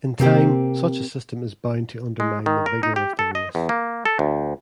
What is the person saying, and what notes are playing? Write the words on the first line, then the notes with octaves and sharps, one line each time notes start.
In time, such a system is bound to undermine the vigour of the race.
C3 A#3 C4 G4
G#3
D#3
A#4
D#4
G4
A4
D#5
E2
A#3
A4
D2